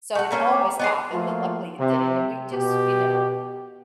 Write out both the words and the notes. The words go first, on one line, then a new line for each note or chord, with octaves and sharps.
so it almost happened but luckily it didn't and we just, you know
A3 F#5
A3 A#3 C#4 F5 C#6
G5 D6
B3 F4 G#4 D#5
F3 A3 A#3 F4 F#4
C3
B2 G4